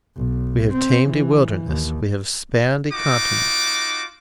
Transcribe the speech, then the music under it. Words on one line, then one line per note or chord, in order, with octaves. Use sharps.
We have tamed a wilderness; we have spanned a continent.
B1
C4
E3
D#2
D#4 F4 F#4 D6